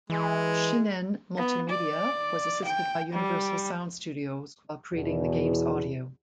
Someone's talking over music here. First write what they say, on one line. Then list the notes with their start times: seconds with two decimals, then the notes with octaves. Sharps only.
Shin'en Multimedia was assisted by Universal Sound Studios while creating the game's audio.
0.10 E3 G#3
1.37 B3
1.69 D5
2.65 G5
3.12 G3
4.94 E2 B2